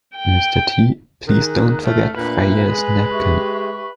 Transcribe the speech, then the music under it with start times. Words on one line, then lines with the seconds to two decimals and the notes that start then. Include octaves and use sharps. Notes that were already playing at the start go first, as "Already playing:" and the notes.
Mr T. - please don't forget Freya's napkin.
0.16 G5
1.28 D#3 G#4 A#5 F#6
1.83 A3 F6
2.17 A#2 D4 B4 E5
2.68 G#3 G#5
3.11 G4 E5 C#6